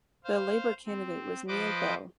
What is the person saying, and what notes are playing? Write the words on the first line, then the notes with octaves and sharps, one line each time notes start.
The Labor candidate was Neil Bell.
C5 F5
C4
F3 B4 C5 D#5 D6